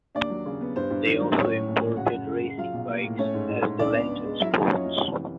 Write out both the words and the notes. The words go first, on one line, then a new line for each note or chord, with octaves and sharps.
They also imported racing bikes as the Lenton Sports.
D#2 D4 D5
F#3
C#3
B3
G2 C5
G2
D#3
F#3
A2 C#4 C#5
A2
A#1
A#1
C#3 F#4 F#5
F#2
C#3
C#3
F#3 F4 F5
B1
A#3
A2
A3 C#4 C#5
G#2
G#2
G#2
C#2 D4 D5
B3
B3
G#3
F#3 E4 E5
F4 F5
F#2
D#4 D#5
F#2 C#4 C#5
F#2
C3
E3